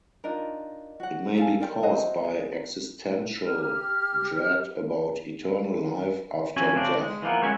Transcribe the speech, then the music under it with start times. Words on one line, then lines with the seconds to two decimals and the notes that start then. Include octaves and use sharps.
It may be caused by existential dread about eternal life after death.
0.24 D4 D#4 F4 A#4
1.00 F#4 F#5
1.37 A4 F5 G#5
1.60 A#4 D5 G5
1.83 F#4 C5 D#5 E5
2.24 G#4
3.46 G4 F6
6.56 F2 C#4 F#4 E5 G#5
6.75 C#3 C4 D4
7.01 G#3
7.22 E3 F3 A#3 B3
7.43 G#3 C#4 F#4 C#5 E5 G#5